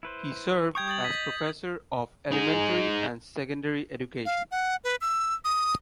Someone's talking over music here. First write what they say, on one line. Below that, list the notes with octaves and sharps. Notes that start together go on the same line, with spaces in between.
He served as Professor of Elementary and Secondary Education.
E4 B4 C5
G3 G5 C#6 D#6 G6 G#6
D#6 A6 F#7
D#5 B6
D#4 G#4
F5
F#5
B4
E6
D#6